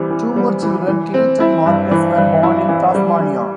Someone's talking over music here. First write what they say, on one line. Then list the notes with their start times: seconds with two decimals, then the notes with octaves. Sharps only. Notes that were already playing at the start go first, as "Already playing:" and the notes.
Two more children, Kate and Marcus, were born in Tasmania.
Already playing: C3 E3 G3
0.11 E3
0.36 G3
0.62 E3
0.88 E3
1.14 C4
1.40 E4
1.66 G2
1.91 E3
2.17 G2
2.43 E4
2.69 E3
2.95 G3
3.20 G3